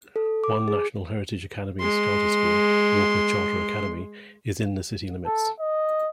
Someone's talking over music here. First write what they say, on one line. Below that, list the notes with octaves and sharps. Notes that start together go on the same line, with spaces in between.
One National Heritage Academies charter school, Walker Charter Academy, is in the city limits.
A4
D6
G#4
G#3 C6
A4
D#5